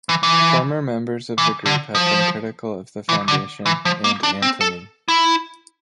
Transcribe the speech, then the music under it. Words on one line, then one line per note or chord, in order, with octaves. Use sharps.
Former members of the group have been critical of the Foundation and Anthony.
E3
E3
E3
D3
F3
E3
D3
E3
F3
A#3
D4
C4
A4
E4